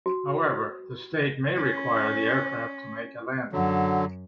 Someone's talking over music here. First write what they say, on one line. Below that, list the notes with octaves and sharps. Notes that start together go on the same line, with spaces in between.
However, the state may require the aircraft to make a landing.
F#4
C#4
F#2 D3 F#3